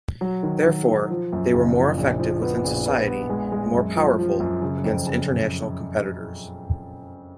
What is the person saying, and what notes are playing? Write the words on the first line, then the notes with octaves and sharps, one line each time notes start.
Therefore, they were more effective within society and more powerful against international competitors.
F#3
D#3
D#3
D#3
F3
F#2
F#1
F3
A#1
F3
B3
A#1
B3
B3
G#3
G#3
F#2
F3
F3
F#2
C#3
F2
C#3